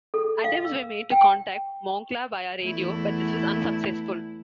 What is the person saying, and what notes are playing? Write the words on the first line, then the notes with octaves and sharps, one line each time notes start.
Attempts were made to contact Moncla via radio, but this was unsuccessful.
A4
F5
E6
G5
E2 A3 E4